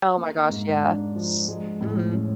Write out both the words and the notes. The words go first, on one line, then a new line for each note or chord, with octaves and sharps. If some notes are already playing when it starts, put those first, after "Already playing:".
Oh my gosh, yeah. S Mhm.
A#3
G#2
D4
F3
G#3
A2
C#4